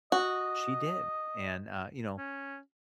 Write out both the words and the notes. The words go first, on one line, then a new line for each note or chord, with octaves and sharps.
she did, and, uh, you know,
F#4 D#5
C#4